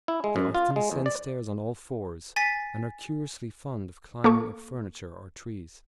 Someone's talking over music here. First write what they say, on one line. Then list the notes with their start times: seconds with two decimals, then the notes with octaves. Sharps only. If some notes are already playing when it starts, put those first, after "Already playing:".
They often ascend stairs on all-fours; and are curiously fond of climbing up furniture or trees.
0.08 E4
0.24 G#3
0.36 F#2
0.55 F4
0.76 G#3
0.92 E2
1.06 D5
2.36 G#5 A6 B6
4.24 A#3 A4 C#6